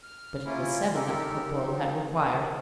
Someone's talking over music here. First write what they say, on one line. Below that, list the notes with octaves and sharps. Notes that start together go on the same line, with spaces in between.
But it was seven that Cropole had required.
F6
A#3 C#4 E4 F4
D#4 G4 A4 A#4
F#3 C4 D#4
D2 D#3